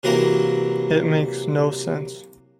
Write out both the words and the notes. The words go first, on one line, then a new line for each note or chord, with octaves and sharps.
It makes no sense.
C3 E3 F#3 A#3 E4 A#4